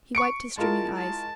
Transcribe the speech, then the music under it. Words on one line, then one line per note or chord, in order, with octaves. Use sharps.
He wiped his streaming eyes.
C#6 C#7 D7
G#3 E4 F4 A#4 A5
A5